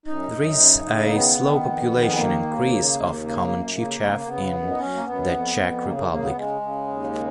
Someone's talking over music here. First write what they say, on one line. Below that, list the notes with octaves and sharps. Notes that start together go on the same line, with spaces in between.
There is a slow population increase of common chiffchaff in the Czech Republic.
F#2 D#4
F#2
C#3
C#3
A#3
D#3 B3
D#3
F2
D#3
G#3
D#2 A#3
D#2
C#3
D#2
C#3 A#3
F#2
C#3 A#3
C#3
C#3 B3
F#2
D#4
F#2 C#4
A#3
F#2 B3
F2
F2
C#3 A#3
A#3
C#3 A#3
B3
C#3 G#3
C#3
D#2
C#3